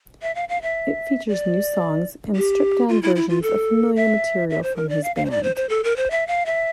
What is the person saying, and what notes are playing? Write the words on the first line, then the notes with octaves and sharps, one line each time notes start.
It featured new songs and stripped-down versions of familiar material from his band.
E5
F5
F5
E5
D5
G4
F4
E4
E4
F4
A4
E5
E5
C5
A#4
D5
F5
F5
C5
D5
C5
C5
A4
A#4
C5
E5
F5
E5